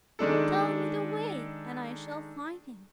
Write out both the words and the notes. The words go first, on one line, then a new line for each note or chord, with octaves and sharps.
"Tell me the way, and I shall find him!"
D#3 G#3 D4 A4